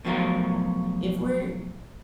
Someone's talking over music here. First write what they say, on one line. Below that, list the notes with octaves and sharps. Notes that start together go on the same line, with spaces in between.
if we're
B2 F3 F#3 A3 F4 A#4